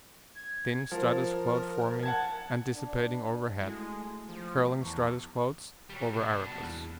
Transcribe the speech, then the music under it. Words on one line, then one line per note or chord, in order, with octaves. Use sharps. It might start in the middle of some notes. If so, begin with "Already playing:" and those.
Thin stratus cloud forming and dissipating overhead, curling stratus clouds over Erebus.
G#6
F3 A#4
F#5 A5 G#6
D4
G#3 A3 E4 F#4
F3
E2 A5 A#5 C#6
F#3 G3
B2 D4
E2